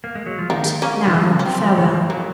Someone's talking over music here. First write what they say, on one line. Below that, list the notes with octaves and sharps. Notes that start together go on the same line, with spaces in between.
But now, farewell.
A#3
G#3
F#3
F3
D#3 A#3
A#3 C#4
D#3
C#3
C#4
C4
D#3
F3
F#3 A#3